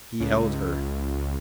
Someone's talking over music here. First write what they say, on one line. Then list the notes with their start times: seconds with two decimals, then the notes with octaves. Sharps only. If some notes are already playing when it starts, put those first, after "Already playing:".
He held her.
0.20 C#2